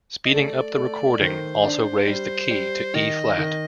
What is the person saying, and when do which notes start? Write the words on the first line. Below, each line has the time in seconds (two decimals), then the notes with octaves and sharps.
Speeding up the recording also raised the key to E-flat.
0.25 D#5
0.33 A3 D5
0.77 A3
1.20 D#3 C5
1.63 D4
2.07 G3
2.51 G3
2.94 D#3 D#5
3.37 D#3